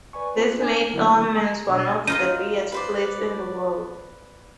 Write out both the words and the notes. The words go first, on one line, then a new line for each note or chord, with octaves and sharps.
This made Ellerman's one of the biggest fleets in the World.
B4 D5 G#5 C#6
A#3 C4 F4 G#4 B4 C5
B3 D4 A#4 G#5
D3 F#3 A#3 B3 D4 E4
G#3 A#5
B2 D4
D#4 F4 D#5 D#7
B4 C5 D5